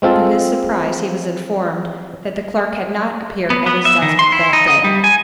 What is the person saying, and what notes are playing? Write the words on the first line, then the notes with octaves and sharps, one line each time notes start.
To his surprise, he was informed that the clerk had not appeared at his desk that day.
G#3 C4 F4 A4
B3
B3
E5
D#3
C6
E4
D#4
D#5
G3
G#5